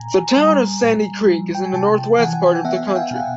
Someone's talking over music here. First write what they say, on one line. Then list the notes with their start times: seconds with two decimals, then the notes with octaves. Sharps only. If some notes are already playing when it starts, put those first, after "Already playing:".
The Town of Sandy Creek is in the northwest part of the county.
Already playing: A#2 G#5 A#5
0.37 G3
0.83 A#2
1.28 F3
1.55 G5
1.65 G#5
1.73 C3 G5 A5
2.19 E3 F#5 G#5
2.46 G#5
2.55 G5
2.64 B3 E5 F#5
2.88 G#5
2.95 F5 G5
3.11 B2 F#5